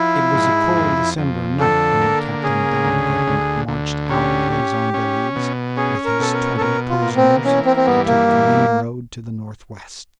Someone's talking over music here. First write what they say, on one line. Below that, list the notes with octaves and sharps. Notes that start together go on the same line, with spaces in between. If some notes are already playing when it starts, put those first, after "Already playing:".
It was a cold December night when Captain Baumgarten marched out of Les Andelys with his twenty Poseners, and took the main road to the north west.
Already playing: F3 E4
G#2
F2
F2
D3 A4
A#3
C#3 G#4
D2
D2
D2
C#4 G4
C#4
C#4
B2
C#4 G#4
A#4
B2 A4
A#4
A4
B2 A#4
F4
A#3
C4
E3 C#4
C4
C4
G2 B3
A#3
E3